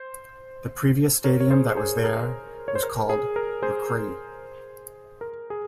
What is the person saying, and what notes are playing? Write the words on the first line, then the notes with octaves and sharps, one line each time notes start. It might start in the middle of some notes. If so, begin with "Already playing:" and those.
The previous stadium that was there was called Reckrie.
Already playing: C5
A#4 C#5
C#5
G#4 C5
G#4 C5
A#4
C#5
C5
A#4
G#4
A#4
G#4 C5
A#4
G#4